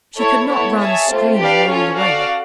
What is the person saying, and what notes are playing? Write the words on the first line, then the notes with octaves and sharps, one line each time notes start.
She could not run screaming all the way.
E4 A4 C#5
B3 E4 A4 C#5
G#4 C#5 E5 A5
A3 C4 F4
D4 G4 B4 D5 F5
C#4 F4 A4 C#5
F#4 A4 D5 F5